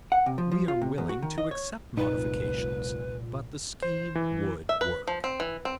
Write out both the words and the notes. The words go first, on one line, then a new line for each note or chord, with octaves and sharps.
We are willing to accept modifications, but the scheme would work.
F#5
C3
F3
F3
F4
C3
E2
F#4
D#3
D#5
C#5
F1 C2 A#2 D#4 B4
C5
E3
E5
B4
F3
C4
E3
C4